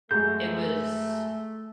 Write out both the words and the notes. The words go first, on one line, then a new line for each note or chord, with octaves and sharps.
It was
F#2 G#3 A3 F#4 G6